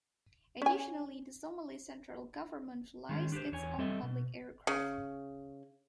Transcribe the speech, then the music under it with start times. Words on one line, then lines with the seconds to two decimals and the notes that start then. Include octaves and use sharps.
Additionally, the Somali central government flies its own public aircraft.
0.62 C#4 G#5
3.09 D#3 G#3 C#4
3.32 D4 G4 A4 C5
3.52 E2 C#5 G#5
3.78 G3 C4 A4 D#5 E5
4.03 B2
4.67 C#3